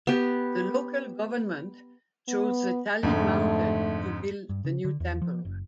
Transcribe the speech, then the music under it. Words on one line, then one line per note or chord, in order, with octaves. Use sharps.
The local government chose the Talin Mountain to build the new temple.
B3 G4
B3
F2 G#2 D3 A3
G2
C#3
D3
E2
F3
F#1